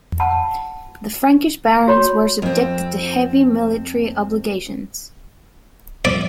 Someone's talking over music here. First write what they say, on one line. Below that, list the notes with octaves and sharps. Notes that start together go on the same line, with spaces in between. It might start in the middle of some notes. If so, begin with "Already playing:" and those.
The Frankish barons were subjected to heavy military obligations.
F#5 A5 B5
F#4 C#5 B5 C6
F2 C4
A#2 F3 G3 D5